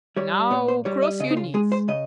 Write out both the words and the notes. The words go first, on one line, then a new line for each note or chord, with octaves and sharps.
"Now cross your knees."
G3 C#5
A#2 C#5
C5
G3 C#5
D#5
C#3 D#5
D#4
F4
G#3 G#4
C5
C#3 D#5